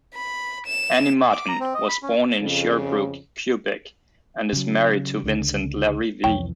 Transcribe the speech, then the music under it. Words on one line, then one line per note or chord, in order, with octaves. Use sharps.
Annie Martin was born in Sherbrooke, Quebec, and is married to Vincent Larivee.
B5
E7
D6
A#5
C4
D#5
B5
C#4
F2 C#3
C#3 F#3
C#2 D3
C2 F2 E3 C#5 G5